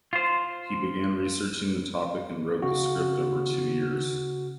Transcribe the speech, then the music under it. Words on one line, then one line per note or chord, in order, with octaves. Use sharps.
He began researching the topic and wrote the script over two years.
F4 C5
C#3 F#4